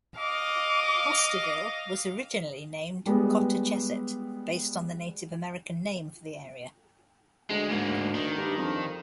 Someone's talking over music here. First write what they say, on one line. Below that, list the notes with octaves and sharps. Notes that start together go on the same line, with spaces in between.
Osterville was originally named Cotacheset, based on the Native American name for the area.
D#5 F5 D6
G3 G#3 B3
D2 G#3
G#2 A#3
D#3
G2
F2